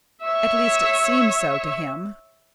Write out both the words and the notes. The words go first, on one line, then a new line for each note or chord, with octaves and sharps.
At least, it seemed so to him.
C#5 E5